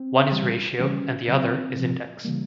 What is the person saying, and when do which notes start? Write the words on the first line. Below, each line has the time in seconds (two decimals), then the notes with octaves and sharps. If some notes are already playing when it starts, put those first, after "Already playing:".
One is ratio and the other is index.
Already playing: C4
0.32 C#3 E3 G3
0.79 C#3 E3 G3 C#4
1.28 C#3 F#3 C4
1.76 C3 F3
2.24 C#3 E3 G3 A#3